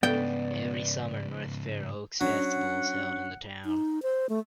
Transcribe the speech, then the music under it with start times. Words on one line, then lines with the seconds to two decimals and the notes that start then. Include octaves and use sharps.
Every summer, North Fair Oaks Festival is held in the town.
0.03 G#2 C#3 B3 D5 G5
2.21 F#3 C#4 D4 F#5
3.65 D#4
4.02 C5
4.29 A3